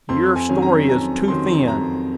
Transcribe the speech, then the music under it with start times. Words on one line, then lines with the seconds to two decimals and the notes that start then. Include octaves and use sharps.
"Your story is too thin."
0.09 F2 C6
0.36 G#5
0.49 D#3 F#3 C#4
0.62 A#5
0.89 F2 A#5
1.28 D#3 F#3 C#4 C6
1.68 F2 A#5